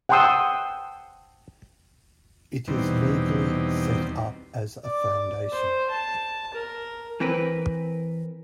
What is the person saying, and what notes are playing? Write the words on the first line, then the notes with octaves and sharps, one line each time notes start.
It is legally set up as a foundation.
F#5 G5 A5 C6 D#6 E6
E2 B2 D#3 G3 C4
D5
C5
A5
A#4
E3 C4 A#4 B4